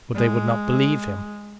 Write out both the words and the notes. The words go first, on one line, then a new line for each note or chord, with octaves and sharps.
But they would not believe him.
G#3